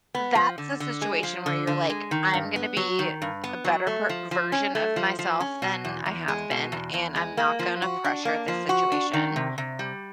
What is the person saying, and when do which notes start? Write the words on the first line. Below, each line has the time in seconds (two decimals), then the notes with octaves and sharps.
that's the situation where you're, like, "I'm gonna be a a better per version of myself than I have been, and I'm not gonna pressure this situation."
0.15 B3
0.35 F3
0.58 D3
0.80 D3
1.02 G#3
1.23 F3
1.46 D3
1.67 D3
1.90 G#3
2.11 D#3
2.34 G2
2.56 B3
2.77 F#3
2.99 D#3
3.22 G2
3.44 B3
3.65 F#3
3.87 A3
4.09 F3
4.31 F3
4.52 C#4
4.75 A3
4.96 F3
5.19 F3
5.40 C#4
5.62 B2
5.85 E2
6.06 E2
6.28 G#3
6.51 B2
6.72 E2
6.94 E2
7.16 G#3
7.37 A#3
7.59 F3
7.82 F#4
8.04 D4
8.25 A#3
8.48 F3
8.69 F#4
8.92 D4
9.14 D#3
9.36 C3
9.58 C3
9.79 G3